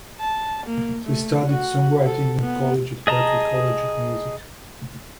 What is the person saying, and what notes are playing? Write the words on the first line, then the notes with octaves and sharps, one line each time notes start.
They studied songwriting in college at Berklee College of Music.
A5
A#3
A3
F#4
A4
B3
G#4 D#5 A5 A#5